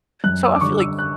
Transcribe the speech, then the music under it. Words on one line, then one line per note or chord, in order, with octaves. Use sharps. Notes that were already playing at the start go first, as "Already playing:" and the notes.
so I feel like, you
F#2 F#6
E6
D6
D3 G3 C#6
E6
F#6